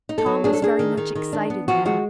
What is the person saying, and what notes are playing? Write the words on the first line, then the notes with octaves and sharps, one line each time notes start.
Tom was very much excited now.
D#4
A4
F#3
D4 G#4
A4
D4 G#4
D#3
D#3
D#3
D4
B3
F3 F#4
G#3 F#4